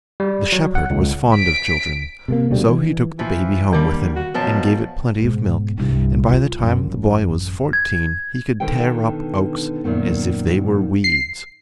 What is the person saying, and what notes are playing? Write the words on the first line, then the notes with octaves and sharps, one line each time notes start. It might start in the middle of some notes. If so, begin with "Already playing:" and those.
The shepherd was fond of children, so he took the baby home with him and gave it plenty of milk, and by the time the boy was fourteen he could tear up oaks as if they were weeds.
G3
F#3
F#5
C#2
B6 D7
C3 A3 A#3
D2 B2 G3
E3
E3 F3
D3 D#3 G3 A#3 D6
F#4
F#2 B2 F3 A5
G#2 B2
C2 G2
E4 F4
A1 F#2
G#6
B2 D3 D#3 B3 B4 G5
F#2 A#2 D#3 B3
C7